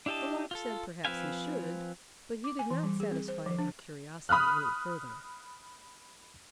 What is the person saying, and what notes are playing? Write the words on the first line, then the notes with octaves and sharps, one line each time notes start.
The Lark said, "Perhaps he should;" but he did not satisfy her curiosity any further.
D4 E4 G4 D#5 A5
F4 A4
F3 C4 B4 F5 G#5
D6
G#5
E3
G3
G#4
C4
C5
F3
D4
B5 D#6 F6 F#6